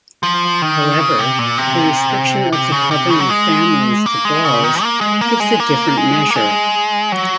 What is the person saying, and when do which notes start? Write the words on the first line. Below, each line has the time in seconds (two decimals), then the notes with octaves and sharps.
However, the restriction of the covering families to balls gives a different measure.
0.23 F3
0.62 D#3
1.00 C#3
1.19 C3
1.39 A#2
1.58 C3
2.52 C3
2.72 C#3
2.91 C3
3.10 C#3
3.20 F#3
3.29 G#3
4.06 A#3
4.25 G#3
4.45 C#3
4.64 D#3
4.83 A#3
5.01 G#3
5.21 A#3
5.40 G#3
5.60 A#3
5.97 G#3
6.31 A#3
6.36 G#3
7.12 F#3